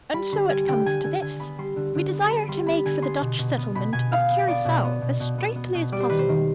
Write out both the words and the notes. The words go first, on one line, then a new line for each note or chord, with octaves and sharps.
And so it comes to this: We desire to make for the Dutch settlement of Curacao as straightly as possible.
G3 B5
D3 C6
G3 G#5
D3 G5
D3 G#5
D3 G#5
D3 G#5
B3 B5
G3 C6
D3
D3
B3
B3 B5
G3 C6
B3 B5
D3 G#5
B3 C6
B2
B2
B3
B2 B5
B2 G#5
B3 F5
B3
B3 D5
B2
B3
B2
B2
B3
B3
B2
G3 D5
C5
D#3 B4
C5
D#3